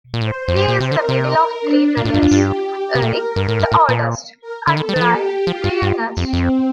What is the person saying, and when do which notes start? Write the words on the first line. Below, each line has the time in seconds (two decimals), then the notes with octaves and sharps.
He is the middle of three brothers; Eric, the oldest, and Brian, the youngest.
0.14 A#2
0.21 A2 C5
0.48 F2
0.56 G2 C5
0.68 A#2
0.80 C3
0.91 D3 A#4
1.09 C3
1.61 D4
1.96 A#2 F4
2.05 A2
2.14 G2
2.22 F2
2.31 G2 G4
2.95 C3
3.02 A#2 A#4
3.36 G2
3.48 A2
3.60 G2
3.72 A2
3.89 A#2
4.41 A#4
4.67 D3
4.77 D#3 A4
4.89 G3
4.96 D#3
5.01 F3
5.12 G4
5.47 F3 F4
5.64 G2
5.82 G2
6.17 F2 C4
6.33 F2